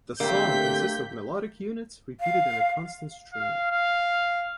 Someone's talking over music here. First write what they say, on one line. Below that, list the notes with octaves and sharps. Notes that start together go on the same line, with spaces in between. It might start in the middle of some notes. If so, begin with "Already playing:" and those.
The song consists of melodic units, repeated in a constant stream.
D3 A3 A#3 C4 G4 G5 G6 B6
F5
F5
F5